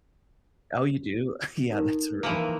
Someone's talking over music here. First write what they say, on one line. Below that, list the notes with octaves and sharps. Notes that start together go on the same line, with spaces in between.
Oh, you do? Yeah, that's really g
D#4 A4 A#4
E3 F3 A#3 E4 F5